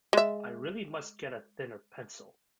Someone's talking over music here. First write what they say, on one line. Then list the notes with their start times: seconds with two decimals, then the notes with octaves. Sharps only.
I really must get a thinner pencil.
0.13 G#3 E5